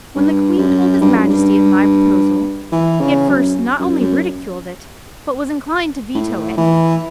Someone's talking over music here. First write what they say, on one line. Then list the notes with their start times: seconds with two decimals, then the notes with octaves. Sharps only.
When the Queen told his Majesty of my proposal, he at first not only ridiculed it, but was inclined to veto it.
0.16 G2
0.58 F#2
1.01 G2
1.15 F#2
1.28 G2
2.72 E3
3.01 C#3
3.29 F#2
3.79 F#2
4.01 F#2
6.15 A2
6.57 E3